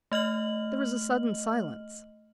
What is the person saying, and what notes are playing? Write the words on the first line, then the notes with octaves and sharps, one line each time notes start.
There was a sudden silence.
A3 D#5 F6 F#7